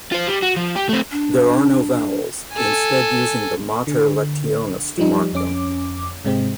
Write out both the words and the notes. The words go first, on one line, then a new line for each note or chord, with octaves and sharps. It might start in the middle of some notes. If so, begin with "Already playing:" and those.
There are no vowels, instead using the mater lectionis to mark them.
F4 C5
G3
F#4
F3
G4
A3 C4
D4
A4 G#5
D3
F3 G3 D#4
F2 C#4 D6
G#2 C3 G#3 C4